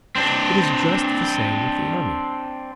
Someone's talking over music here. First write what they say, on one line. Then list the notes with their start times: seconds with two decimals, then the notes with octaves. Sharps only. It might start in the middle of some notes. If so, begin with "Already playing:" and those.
It is just the same with the army.
0.15 C4 D4